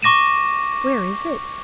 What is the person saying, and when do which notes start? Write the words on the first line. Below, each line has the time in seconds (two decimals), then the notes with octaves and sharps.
'Where is it?
0.03 C#6 D6 A#6 D#7 E7